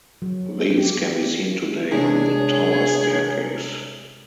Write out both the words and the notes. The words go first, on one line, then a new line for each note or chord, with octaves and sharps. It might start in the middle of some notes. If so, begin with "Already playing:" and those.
These can be seen today on the tower staircase.
F#3
G4
C3 G#3 D4 G#4 C#5